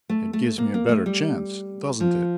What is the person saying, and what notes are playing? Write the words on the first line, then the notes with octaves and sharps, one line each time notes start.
"It gives me a better chance--doesn't it?"
A3
A3
A#3
A#3
A3
G3
F3